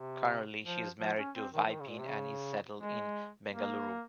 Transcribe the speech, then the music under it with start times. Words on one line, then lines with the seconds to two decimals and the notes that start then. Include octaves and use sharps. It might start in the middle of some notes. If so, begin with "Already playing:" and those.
Currently she is married to Vipin and is settled in Bengaluru.
Already playing: C3
0.64 F3
1.00 F3
1.18 C#4
1.35 C4
1.53 D#3
1.66 F3
1.72 D#3
1.81 C#3
1.90 A#2
1.99 C3
2.08 C#3
2.80 G#3
3.52 A#3